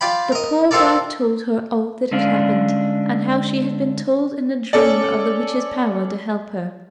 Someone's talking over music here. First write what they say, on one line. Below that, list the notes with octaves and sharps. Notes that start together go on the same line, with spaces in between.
The poor wife told her all that had happened and how she had been told in a dream of the witch's power to help her.
F4 D5 G5 B5
A#4 D#5
C4 F4 A4 A#4 D5
D3 G#3 C#4 D4 D5 F5
C#4 A4 D5